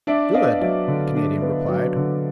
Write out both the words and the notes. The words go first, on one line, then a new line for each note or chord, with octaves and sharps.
"Good!" the Canadian replied.
D4 D5 E5
B3 D#5 F5
F#3 D5 E5
D3
D4
B3
F#3
D3